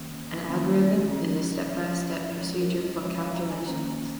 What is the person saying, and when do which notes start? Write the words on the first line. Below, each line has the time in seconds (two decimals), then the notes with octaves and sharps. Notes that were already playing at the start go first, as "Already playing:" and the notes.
An algorithm is a step-by-step procedure for calculations.
Already playing: D#3 A#3 C#4
0.47 D#3 A#3 C#4
1.11 F3 C#4
1.75 F3 C#4
2.39 F3 G#3 C#4 C#5
2.60 A#4
2.82 D#5
3.02 F3 G#3 C#4 C#5
3.19 F5
3.34 A#5
3.50 G#5
3.67 D#3 A#3 C#4 A#5